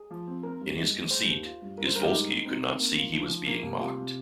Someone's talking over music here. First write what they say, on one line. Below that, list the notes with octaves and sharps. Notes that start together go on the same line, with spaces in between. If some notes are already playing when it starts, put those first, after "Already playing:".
In his conceit, Izvolsky could not see he was being mocked.
Already playing: G#4
F3
C4
C4 A#4
G2
G#3
G#3
G#3 C5
D#2
F4
G2
G2 A#4
C5
G2 A#4
G4
G#3 D#4
G#2
C4 D#4
C4
A#3
F4
F3 D#4
F3
A#3
C2
C3 F4
C3